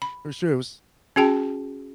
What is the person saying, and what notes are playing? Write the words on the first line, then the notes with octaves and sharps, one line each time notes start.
For sure, it was
B5
C#4 F#4 G#4 G5 A5